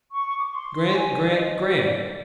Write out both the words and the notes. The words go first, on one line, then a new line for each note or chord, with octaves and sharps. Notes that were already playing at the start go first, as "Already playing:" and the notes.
Grant, Grant, Grant!
C#6
D6
C#6
C6
G#5
D5
D#5
C#5
D5